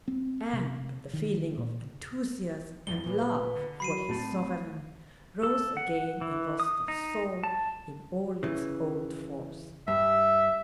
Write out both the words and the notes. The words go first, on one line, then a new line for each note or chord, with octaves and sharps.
And the feeling of enthusiasm and love for his sovereign rose again in Rostov's soul in all its old force.
C4
C3
D#3
A#2
F2 F3 G3 G7
A#2 B4
D3
F#3 B5 C7 D#7
A2 A3 C4 A5
F#3
A4
F#5
E3
D#6
D#4
A5
C#3 E3
G2 E5